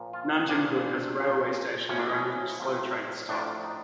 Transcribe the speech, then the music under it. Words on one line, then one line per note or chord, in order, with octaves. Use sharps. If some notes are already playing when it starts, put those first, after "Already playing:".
Nanjangud has a railway station where only slow trains stop.
Already playing: A#2 F3
F4
A#2 F3 D4
A#2 F3
A2 F3 C#4
D4
C#4
A2 F3
A2 F3 D4
D#4